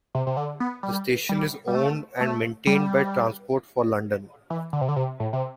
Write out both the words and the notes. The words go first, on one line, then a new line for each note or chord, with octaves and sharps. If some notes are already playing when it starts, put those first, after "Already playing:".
The station is owned and maintained by Transport for London.
C3
C3
D3
B3
G3
G3
G3
A3
A3
G3
E3
D3
C3
D3
C3
A2
C3